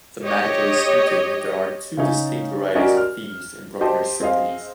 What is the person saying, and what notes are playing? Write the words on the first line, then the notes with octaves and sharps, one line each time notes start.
Thematically speaking, there are two distinct varieties of themes in Bruckner's symphonies.
G4 C#5 D#5
C#3 C#4 D#4
C#4 F#4 G4 A#4 D5 D#5
F6
G4 C5 D#5 A5
C4 G#4 D#5 F5